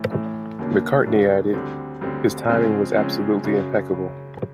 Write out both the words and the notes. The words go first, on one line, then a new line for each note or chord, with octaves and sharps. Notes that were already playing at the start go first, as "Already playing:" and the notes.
McCartney added: his timing was absolutely impeccable.
Already playing: A2 E3 A3
A2 E3 A3
D#2 C#3 F#3 A#3 D4
D#2 C#3 F#3 A#3 D4
D2 D3 G3 C4
D2 D3 G3 C4
C#3 F3 G#3 C4
C#3 F3 G#3 C4
F#2 C#3 F#3
C#3